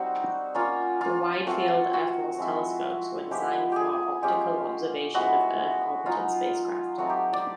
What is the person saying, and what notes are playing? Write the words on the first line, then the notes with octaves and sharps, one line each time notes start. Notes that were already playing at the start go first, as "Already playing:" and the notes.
The wide-field Air Force telescopes were designed for optical observation of Earth-orbiting spacecraft.
Already playing: G3 C4 D#4 F#4
A#3 C#4 F4
F4
A3 C4 F4 F#4
F#4
F3 G#3 C4 E4
F3 G#3 B3 E4 G4
G4 G#4
G#3 C#4 F4 G4
G#3 B3 E4 F#4
F#3 B3 D#4 F4
F#3 A3 C4 D#4 F#4
G4
D5